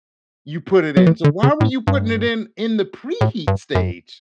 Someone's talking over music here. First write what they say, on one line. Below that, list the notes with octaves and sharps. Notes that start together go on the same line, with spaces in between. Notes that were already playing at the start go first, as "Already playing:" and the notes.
you put it in. So, why were you putting it in in the preheat stage?
F#3
E3
D3
C#3
A2
G2
A2
G2
F#2